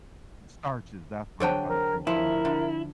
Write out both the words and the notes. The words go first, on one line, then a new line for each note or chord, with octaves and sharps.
starches, that's what I'm trying to think of.
D3 F#3 G#4 C5 G5 A5
A#4
F3 E4 A#4
D3